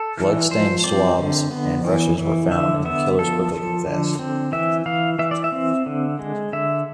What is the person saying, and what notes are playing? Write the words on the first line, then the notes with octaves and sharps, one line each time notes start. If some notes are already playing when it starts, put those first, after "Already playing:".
Bloodstained swabs and rushes were found, and the killers quickly confessed.
Already playing: A4
E3
F3 C5
C4 D5
D3
B3
E3
E3
D3 E5
B3 E5
F3 A4
F3
D3
C4
E3 E5
E3 F5
E3 E5
D5
E5
C4
D3
G#3
D3 E5